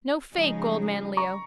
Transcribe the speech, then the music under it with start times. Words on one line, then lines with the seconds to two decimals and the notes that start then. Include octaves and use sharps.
No fake, old man Leo.
0.34 C#3 F3 G#3 D#4 G#4
1.17 A#5 C#6